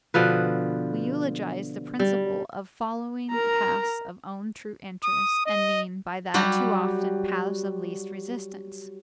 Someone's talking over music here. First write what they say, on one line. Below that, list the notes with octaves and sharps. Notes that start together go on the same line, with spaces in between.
We eulogize the principle of following the paths of own true interest and mean by that too often paths of least resistance.
B2 D3 F3 B4
G3
A#4 A#5
D#6
D#5
F#3 G3 F#4 G4